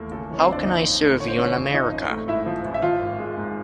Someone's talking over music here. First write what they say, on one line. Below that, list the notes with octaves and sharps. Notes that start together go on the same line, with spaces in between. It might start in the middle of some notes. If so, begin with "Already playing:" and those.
How can I serve you in America?
Already playing: D#2 E3 A3 A#3
C#3 A3 A4
E3 C#5
C4 C5
D#2 D4 D5
F3 D#4 D#5
F2
A3
D3 C#5
C5
F3 C#4 C#5
F2
F3 D#4 D#5
A1
A3
G#2 E4 E5
F3
A1
E5
F3 F4 F5
G#1
G#3
G#2